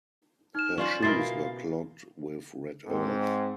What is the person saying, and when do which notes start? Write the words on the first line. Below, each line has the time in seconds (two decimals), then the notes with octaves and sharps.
Her shoes were clogged with red earth.
0.55 D#4 F6 E7
0.78 C#4 F4 C5 D5
1.03 B2 E4 A#4 C6 A6 C7
1.18 F5
2.86 G#2 C4